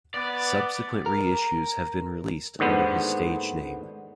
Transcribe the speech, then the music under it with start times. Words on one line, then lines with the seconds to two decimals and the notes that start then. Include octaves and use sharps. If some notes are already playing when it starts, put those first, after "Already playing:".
Subsequent reissues have been released under his stage name.
0.14 B3 D5
1.06 A#4
2.59 D#2 G#2 D3 B3 C5